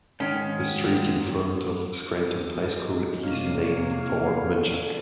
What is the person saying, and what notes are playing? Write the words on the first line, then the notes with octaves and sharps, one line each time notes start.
The street in front of Scranton High School is named for Munchak.
G#2 D#3 C#4
G#3
C3 A#3 C#5 F5
D3